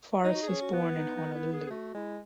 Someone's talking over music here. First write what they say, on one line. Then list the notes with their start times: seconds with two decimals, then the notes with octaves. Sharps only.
Forest was born in Honolulu.
0.24 D#4 E4
0.34 F#4
0.42 G#4
0.48 C#4
0.61 F#4
0.73 B3
0.79 E4
0.98 D#4
1.16 D#4
1.34 E4
1.52 G#4
1.66 G#4
1.70 A3 F#4
1.94 G#3 E4